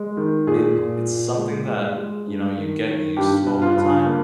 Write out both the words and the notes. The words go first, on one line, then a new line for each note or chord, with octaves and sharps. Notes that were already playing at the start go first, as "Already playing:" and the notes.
it it's something that, you know, you get used to over time,
Already playing: G#3
D#3
A#2 G#4
A#2
A#2
G#3
G#3
G#3
G2
D#3
D#3
G2 G4
G2
F4
G2
A#3